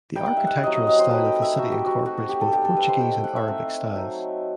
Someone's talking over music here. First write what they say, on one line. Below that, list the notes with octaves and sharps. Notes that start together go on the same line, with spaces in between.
The architectural style of the city incorporates both Portuguese and Arabic styles.
G3 D#4 G5
F#5
E5
F#5
F#3 C4 E4 D#5
D#5
D#5
C5
A3 C4 D#4 B4
G5
E5
A3 D#4 F#4
G4
F#4
A3 C4 D#4 F#4
F#4
G4
A4
G3 B3 D#4 G4
A4
B4
C5
A3 E4 G5
G5
F#5
E5
A3 C4 D#4
F#3 C4 D#4